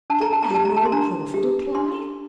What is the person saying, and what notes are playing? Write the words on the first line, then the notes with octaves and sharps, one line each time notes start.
Did Admiral Crawford apply?
D4 A5
A#5
A5
A#5
G4 A5
A#5
A5
C6
D4 A#5
G4
D4 C6